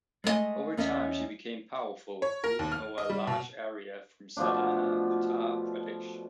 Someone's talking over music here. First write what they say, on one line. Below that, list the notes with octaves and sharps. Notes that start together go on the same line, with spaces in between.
Over time, she became powerful, ruling over a large area from Sardhana, Uttar Pradesh.
G#3 A3 B3 D#5 G#5
E2 B3 C#4 D#5 E5
C#5
A#4
D#2
F6
D#5
G3
B2
B2 F3 A3 D4